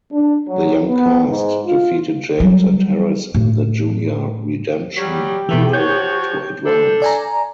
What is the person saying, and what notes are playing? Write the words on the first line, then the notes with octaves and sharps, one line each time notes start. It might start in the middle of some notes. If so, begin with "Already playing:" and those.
The Young Cast defeated James and Harris in the Junior Redemption Duel to advance.
D4
F#3
B3
G#2
F4
F#3 G3
A2
F#3 G3 G4
E2 B2 E3 A3 B4
F3 F#4 C#5 G6
D4 A4
D5 G#5 A#5